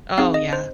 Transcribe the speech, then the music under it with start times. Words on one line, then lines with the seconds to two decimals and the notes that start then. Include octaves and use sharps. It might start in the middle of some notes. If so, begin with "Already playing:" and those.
Oh, yeah.
0.18 C4 D#4 G#4 F5
0.34 D#5
0.53 C5